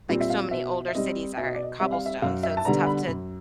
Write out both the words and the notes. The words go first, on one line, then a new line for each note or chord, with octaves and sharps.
like, so many older cities are Cobblestone, so it's tough to
A#2 G3 C4
E5
F5
B2 E5
E5
G3 C4 D#5
B2 E5
D#5
D5
D#5
G3 C4 E5
F5
E5
F#2 F5
E5
A5
D3 G3 B3 D4 A#5
B5
F#2